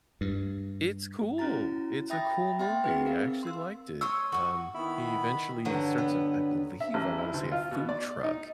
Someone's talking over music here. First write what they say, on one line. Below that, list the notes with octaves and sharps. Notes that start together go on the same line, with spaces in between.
it's cool, it's a cool movie, I actually liked it. Um, he eventually starts a I believe, I wanna say a food truck.
G2
C#4 E4 F#4 A#5 A6
E5 G5 B5 D#6 A6 A#6
B3 E5 F#5 G5 C6 A6
C4 D#4 G#4 B4
C4 A#4 F5
C6 E6
C#5 C6 D#6 E6
F#4 C#6 D#6
D#3 B3 E4 B5
G2 D3 F#3
B3
E5
A1
E4
D2
F4
B2
D5
D#4